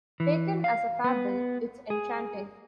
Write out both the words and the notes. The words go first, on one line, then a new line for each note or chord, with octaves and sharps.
Taken as a fable, it's enchanting.
E3
F5
B3
G#4